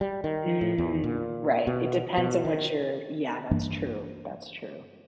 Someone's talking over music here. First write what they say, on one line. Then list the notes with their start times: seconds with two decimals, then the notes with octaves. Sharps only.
Mm, right. It depends on what you're yeah, that's true. That's true.
0.01 G3
0.24 D#3
0.61 A2
0.78 E2
1.04 A#2
1.67 B2
2.18 B2
2.45 D#3
3.51 G2 E3 A#3 D4